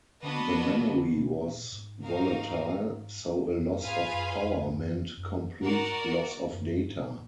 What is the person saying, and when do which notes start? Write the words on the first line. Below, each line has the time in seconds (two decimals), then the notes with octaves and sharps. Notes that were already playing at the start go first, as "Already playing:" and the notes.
The memory was volatile, so a loss of power meant complete loss of data.
0.23 D3 B3 D4 F#4 B4 D#5
0.45 F3
0.61 F3
0.67 D#3
0.90 D3
1.13 B2
1.43 A#2
1.72 G#2
2.03 D#4 F#4 A#4 F5
3.58 F2
3.70 F#2
3.82 G#2 F4 G#4 B4 F5 G#5
4.12 F#2
4.42 F2
4.62 G#2
4.72 F#2
5.17 F#2
5.62 G#2 F#4 A#4 D5 F#5
6.53 F#2
6.86 G#2
6.97 A#2